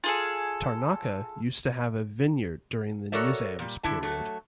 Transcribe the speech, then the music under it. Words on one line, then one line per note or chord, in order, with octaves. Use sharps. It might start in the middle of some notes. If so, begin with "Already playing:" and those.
Tarnaka used to have a vineyard during the Nizams period.
F4 G#4 A4
F#4 A4 A#4 C#5 D5 E5
A#2 G3
D3 E4 E5 A5
F#3 A3